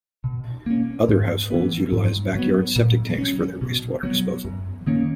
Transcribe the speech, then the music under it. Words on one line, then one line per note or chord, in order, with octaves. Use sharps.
Other households utilize backyard septic tanks for their wastewater disposal.
B2
A#3 C#4
G#2
E3 B3
G#2
F#3 B3
A#2
F#3 C#4
B2
F#3 B3
F#2
D#3 A#3 C#4